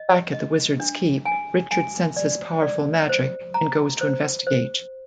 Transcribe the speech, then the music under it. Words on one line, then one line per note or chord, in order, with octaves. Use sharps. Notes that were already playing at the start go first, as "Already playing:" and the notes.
Back at the Wizard's Keep, Richard senses powerful magic and goes to investigate.
Already playing: D#5
D#5
D4
G#5
G#5
D5
D5
C5
A#5
C5
C5